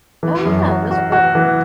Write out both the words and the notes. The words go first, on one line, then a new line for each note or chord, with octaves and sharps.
Oh, yeah. Those are good.
E3
F#2
F#4
F#4
F#4
E3